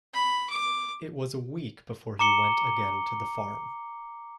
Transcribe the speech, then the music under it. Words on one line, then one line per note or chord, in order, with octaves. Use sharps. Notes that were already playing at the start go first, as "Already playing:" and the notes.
It was a week before he went again to the farm.
B5
D6
A#5 D6 C#7 G7